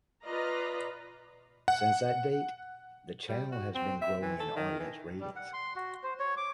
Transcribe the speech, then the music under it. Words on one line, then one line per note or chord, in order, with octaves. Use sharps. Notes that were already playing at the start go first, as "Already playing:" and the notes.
Since that date, the channel has been growing in audience ratings.
F4 B4 D5 D#5 A#5
F#5
G3
F#4
C4
E5
E3
A4
D#3
E3
G3
F#5
C6
F#4
C5
C#5
D6